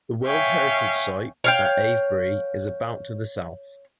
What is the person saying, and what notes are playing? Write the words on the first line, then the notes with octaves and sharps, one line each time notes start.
The World Heritage Site at Avebury is about to the south.
C#5 E5 F5 G5 G#5
C#5 F5 G5